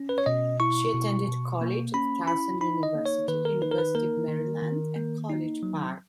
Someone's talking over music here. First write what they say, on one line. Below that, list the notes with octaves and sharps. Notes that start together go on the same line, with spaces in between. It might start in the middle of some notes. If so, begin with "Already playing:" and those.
She attended college at Towson University, University of Maryland and College Park.
Already playing: C#4
B4
C#5
B2 D#5
E4 C#6
B2
B2
A#3
C#4 B5
E4 B5
D#4 B5
D#5
A#3
C#5
D#3 B4
A#4
D#4 B4
A#4
B4
A#3 A#4
D#3
D#3
A#3
D#4
F#3